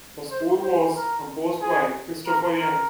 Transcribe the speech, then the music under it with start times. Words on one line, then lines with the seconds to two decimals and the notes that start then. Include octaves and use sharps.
The score was composed by Christopher Young.
0.31 C5
0.63 C5
0.96 A#4
1.61 G#4
2.27 A#4
2.59 A#4